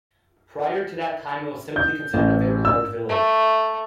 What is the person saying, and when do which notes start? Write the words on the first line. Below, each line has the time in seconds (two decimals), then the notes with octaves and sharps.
Prior to that time it was simply considered a very large village.
1.76 G6
2.14 A1
2.65 E6
3.09 A3